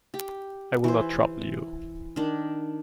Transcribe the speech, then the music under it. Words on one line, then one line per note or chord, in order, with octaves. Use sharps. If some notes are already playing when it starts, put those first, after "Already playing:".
I will not trouble you.
G4
E3 C5
D#3 D4